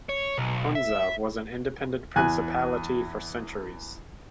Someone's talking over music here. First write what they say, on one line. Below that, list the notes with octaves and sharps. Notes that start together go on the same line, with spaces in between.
Hunza was an independent principality for centuries.
C#5
B1
E5
E2 G#5 F#6